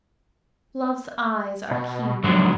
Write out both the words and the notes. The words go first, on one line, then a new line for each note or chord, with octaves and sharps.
Love's eyes are keen.
B2
G#2 D3 F3 F#3